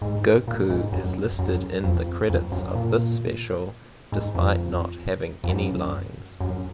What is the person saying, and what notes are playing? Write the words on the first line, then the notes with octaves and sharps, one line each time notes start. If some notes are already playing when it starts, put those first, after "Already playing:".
Goku is listed in the credits of this special, despite not having any lines.
G#2
A#2
G#2
F#2
F#2
F2
F2
F#2
A#2
G#2
F2
F2
F#2
F#2